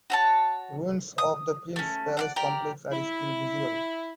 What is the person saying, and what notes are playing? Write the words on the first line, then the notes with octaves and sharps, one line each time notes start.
Ruins of the Prince's Palace Complex are still visible.
F#4 C#5 A5
D#6
A3 C#4
D5 F5 F#5
G4 A#4 D5 A#5
E4